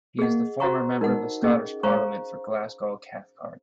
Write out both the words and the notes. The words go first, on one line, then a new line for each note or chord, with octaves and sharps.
He is the former Member of the Scottish Parliament for Glasgow Cathcart.
A#3 G#4 D#5 F#5
F#4 C5 F#5 A#5 C#6
G#3 D#4 A#4 D#5 F#5
A#3 C#4 G#4 D#5
G#3 C5 F5 A#5 C#6